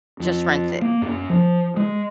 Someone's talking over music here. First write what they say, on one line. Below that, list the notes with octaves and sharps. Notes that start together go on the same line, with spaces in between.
Just rinse it.
F2
A#3
F#2
F3
G#3